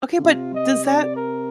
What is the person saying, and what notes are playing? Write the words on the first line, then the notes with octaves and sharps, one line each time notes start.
Okay, but does that
D3
C3 F4
D#5
D5
A#4